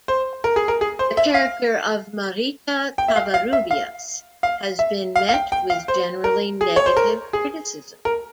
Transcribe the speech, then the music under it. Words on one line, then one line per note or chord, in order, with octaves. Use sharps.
The character of Marita Covarrubias has been met with generally negative criticism.
C5
A#4
G#4
A#4
G#4
C5
E5
F5
G5
E5
F5
F5
E5
F5
F5
E5
F5
F5
G5
G5
F5
C5
A#4
G#4
C#5
C5
A#4
G#4
A#4